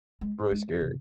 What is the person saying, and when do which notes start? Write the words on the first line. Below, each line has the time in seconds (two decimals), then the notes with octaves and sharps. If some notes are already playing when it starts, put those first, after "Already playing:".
Really scary.
0.21 G#3
0.51 G#3
0.81 C3